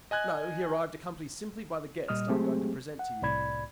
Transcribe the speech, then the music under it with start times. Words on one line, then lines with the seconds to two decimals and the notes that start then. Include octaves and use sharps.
"No, he arrived accompanied simply by the guest I am going to present to you."
0.11 D#5 G#5 F#6 G#6
2.08 A#2 G3 D#5 D#6 F6
2.29 F#3 G#3 A3 C4 G4 G#4
2.99 F#5
3.22 C2 A2 D5 B5 G#6